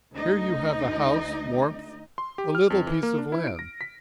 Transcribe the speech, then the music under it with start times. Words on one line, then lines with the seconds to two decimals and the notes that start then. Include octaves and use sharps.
Here you have a house, warmth, a little piece of land.
0.13 D2 D#4 D#5
2.18 C6
2.38 G4
2.55 F6
2.70 F2
2.87 E3
3.03 A#3
3.18 D4
3.32 E4
3.47 D7
3.59 A#6
3.81 B6